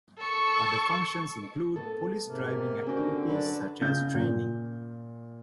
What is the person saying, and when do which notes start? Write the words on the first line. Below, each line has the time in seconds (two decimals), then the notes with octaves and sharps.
Other functions include police driving activities such as training.
0.18 A4 C#6
1.76 B3 A4
2.25 G#2 C3 A#3
2.87 D3 C4 C#4 F#4 G4
3.29 F#3 D4 B4
3.81 C#3 G6
4.14 A#2